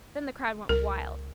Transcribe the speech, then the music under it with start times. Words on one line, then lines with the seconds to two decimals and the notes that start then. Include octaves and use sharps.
Then the crowd went wild.
0.69 C#2 A#4